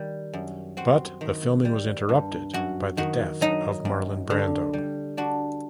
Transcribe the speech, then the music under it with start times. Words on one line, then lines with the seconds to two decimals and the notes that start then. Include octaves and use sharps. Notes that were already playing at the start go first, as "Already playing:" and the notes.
But the filming was interrupted by the death of Marlon Brando.
Already playing: D#3 G3
0.33 F#2
0.77 C4 F#4
1.21 D#3
1.65 G3
2.09 G2
2.53 F#2 F#4
2.97 D#3 F#4
3.41 F#3 D#4
3.85 F#2
4.30 D3
4.73 G3
5.17 D4 F#4